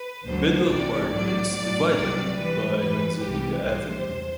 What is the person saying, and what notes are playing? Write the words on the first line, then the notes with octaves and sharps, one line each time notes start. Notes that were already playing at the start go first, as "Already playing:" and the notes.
Bidwell Park is "divided" by Manzanita Avenue.
Already playing: B4
D2 D3 F#3 C5
C2 C3 E3 D5
A2 F#3 D5
A2 F#3 D5
C2 C3 F#3 D5
G2 E3 G3 B4
F#2 E3 G3 B4
C2 C3 E3 G3 G4
C2 C3 G3 C5
E2